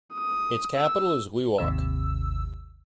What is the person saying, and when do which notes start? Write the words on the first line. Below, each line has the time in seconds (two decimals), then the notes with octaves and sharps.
Its capital is Wewak.
0.14 D#6
0.77 E6
1.58 G#1 D#2 C3 E6